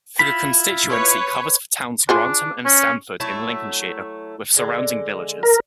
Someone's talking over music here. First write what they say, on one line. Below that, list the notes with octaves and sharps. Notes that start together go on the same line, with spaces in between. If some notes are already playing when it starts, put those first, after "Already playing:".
The constituency covers the towns Grantham and Stamford in Lincolnshire with surrounding villages.
E4 F4 B5
B4 C#5
D4 F4 G#4 C5
C#4
F#3 A3 E4
D3 G#3
A#4